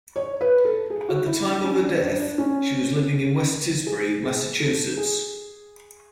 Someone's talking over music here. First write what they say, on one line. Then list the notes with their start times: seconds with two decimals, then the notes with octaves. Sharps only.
At the time of her death she was living in West Tisbury, Massachusetts.
0.16 C#5
0.41 B4
0.65 A4
0.90 G#4
1.09 F#4
1.26 E4
1.45 D4
1.64 C#4
1.82 D4
2.02 D4
2.20 D4
2.38 C#4
3.87 G#4
4.24 G#4
4.60 A4
4.97 G#4